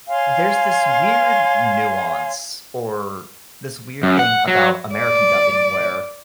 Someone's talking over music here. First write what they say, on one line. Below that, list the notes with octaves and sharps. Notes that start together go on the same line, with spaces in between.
there's this weird nuance, or this weird thing about American dubbing where
C#5 F5 G#5 C6
F#2
F#5
F#3
D5